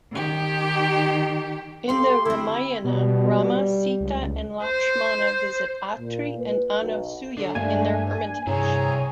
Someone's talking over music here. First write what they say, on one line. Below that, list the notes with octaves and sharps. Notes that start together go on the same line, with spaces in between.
In the Ramayana, Rama, Sita and Lakshmana visit Atri and Anasuya in their hermitage.
D#3 G4
G3 E4 G4 A4 F5 C6
D3 C4 E4
B2 G3
C#2
C5
A#2
B4
B1
D4 A4
G2 G3 A3 A#3 D4 G#5
D4
G2 C3 E4 G#4 C#5 A#5